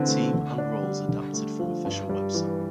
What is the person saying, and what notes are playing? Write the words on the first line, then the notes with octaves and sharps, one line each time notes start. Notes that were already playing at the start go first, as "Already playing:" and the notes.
Team and roles adapted from official website.
Already playing: D3 E3 C4
A3
D3
D4
G3
D3
A3
F3
G2
G3
E3